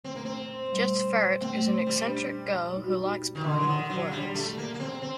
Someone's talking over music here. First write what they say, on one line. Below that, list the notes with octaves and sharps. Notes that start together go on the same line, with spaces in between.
Jess Ferret is an eccentric girl who likes playing with words.
A3 C4
A#3
C4
A3
G3
A3 C4
G3
D4
D#4
F#4
D#4
D#3
D3
F#3
D#3
F#3
G3 D4
A3
A#3
A#3
C4
C4